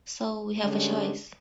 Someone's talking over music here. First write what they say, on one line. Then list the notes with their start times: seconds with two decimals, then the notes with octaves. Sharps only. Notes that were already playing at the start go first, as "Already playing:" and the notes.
So—we have a choice.
0.64 D3 G3 G#3 C#4 D4 G4